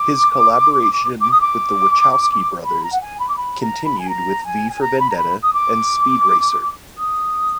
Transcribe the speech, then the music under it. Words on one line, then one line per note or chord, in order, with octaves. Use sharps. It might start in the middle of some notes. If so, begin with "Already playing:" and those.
His collaboration with the Wachowski brothers continued with "V for Vendetta" and "Speed Racer".
Already playing: D6
D6
D#6
D6
B5
A#5
F#5
G#5
B5
D6
B5
A#5
B5
G#5
A#5
G#5
G#5
A#5
B5
A#5
B5
D#6
D6
D#6